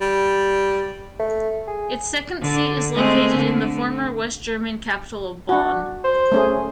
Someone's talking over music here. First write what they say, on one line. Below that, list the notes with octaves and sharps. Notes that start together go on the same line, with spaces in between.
Its second seat is located in the former West German capital of Bonn.
G3
A3
G#4
D3
G#3 A3 C4
D3
D4 F#4
C5
A3 C#4 G#4